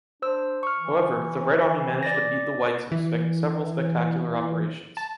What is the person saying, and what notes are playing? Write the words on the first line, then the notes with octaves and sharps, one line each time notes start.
However, the Red Army managed to beat the Whites in several spectacular operations.
D4 C5 E6
C#6 F6
E3
D5 A6 A#6
E3
A5